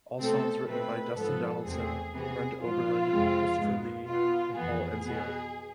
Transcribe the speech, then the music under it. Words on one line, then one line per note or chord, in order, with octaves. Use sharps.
All songs written by Dustin Donaldson, Brent Oberlin, Christopher Lee, and Paul Enzio.
B2 A3 C4 A4
B2 A3 C4 B4
G#2 F3 B3 A4
E2 C3 E3 A3 C4 G#4
C3 E3 B3 G#4
G#2 F3 B3 F4
F2 C3 G#3 C4
G#2 G#3 B3
B2 B3 F4
F2 E3 B3 G#4
B2 B3